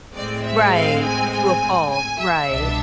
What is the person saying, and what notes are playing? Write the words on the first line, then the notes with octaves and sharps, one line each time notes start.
Right, to a fault, right.
A2 G#3 C4 D5
E5
F5
G#5
G#5
G#5
E5
C2 B2 B3 D4